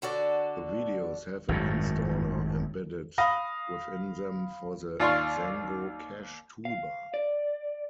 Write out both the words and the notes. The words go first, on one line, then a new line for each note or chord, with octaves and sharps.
The videos have an installer embedded within them for the Zango Cash Toolbar.
D3 F#4 A4 D5
G#1 F#2 A2
F5 B5 D#6 A#6
D#2 F4 D5 C6 C#6
F5
D5